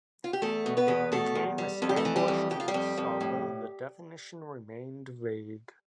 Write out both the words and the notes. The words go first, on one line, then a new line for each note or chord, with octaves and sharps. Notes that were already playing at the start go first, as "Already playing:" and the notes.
It became established use, although the definition remained vague.
F4
G4
E2 A3 A4
B2
B3 B4
E2
B2 A3 A4
E2
G3
F2 A4
G4
A3 A4
E3
G3 G4
F2
F2 G4
F4
G3 G4
F2
F2
A2